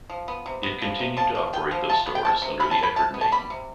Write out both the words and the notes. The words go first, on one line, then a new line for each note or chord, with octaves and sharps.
It continued to operate those stores under the Eckerd name.
F3
B3
C3
B3
F3
C3
F3 A5
F3
B3 G5
F3
C3 A5
B3
G5
C3 A5
C3
C3 B5
A5
G3 B5
C3 A5
B3
A5
G3 B5
C3